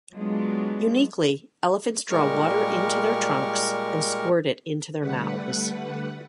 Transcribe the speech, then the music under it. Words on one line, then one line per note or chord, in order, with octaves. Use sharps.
Uniquely, elephants draw water into their trunks and squirt it into their mouths.
F#3 G#3 B3 D4 F4
A#2 G3 G#3 A#4 C#6 F6
D3 G3 A3 B4 F#5